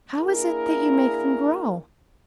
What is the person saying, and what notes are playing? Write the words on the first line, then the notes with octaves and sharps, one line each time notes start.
"How is it that you make them grow?"
A#3 D4 E4 G#4 A#4